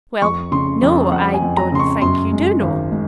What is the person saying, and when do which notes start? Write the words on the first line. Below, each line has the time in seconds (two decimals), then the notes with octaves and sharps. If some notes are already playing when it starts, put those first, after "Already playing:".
"Well, no. I don't think you do know."
0.22 F2 C#6
0.52 C#3 C6
0.82 F2
1.11 F2 F#5
1.34 G#5
1.42 F2
1.57 A#5
1.72 C#3 C6
1.80 C#6
2.01 F#2 C6
2.32 G#3
2.61 G#1
2.92 G#3